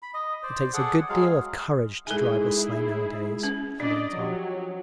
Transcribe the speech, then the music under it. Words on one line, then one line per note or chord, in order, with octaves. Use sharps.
"It takes a good deal of courage to drive a sleigh nowadays," he went on.
B5
D#5
C5 D5
G#4 A4 D5 F#5
F#3 G#3 G#4 F5
G#3 D#4 E4 G#4 A4 G#5
C#4
D4 D5 D#5
F3 F#3 C#4 G4